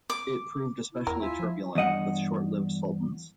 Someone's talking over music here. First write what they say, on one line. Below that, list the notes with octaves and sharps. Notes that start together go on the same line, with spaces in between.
It proved especially turbulent, with short-lived sultans.
D6
E4
E2 A#4
F4 E5 G#5
F3
E2 G2 D#5 F#5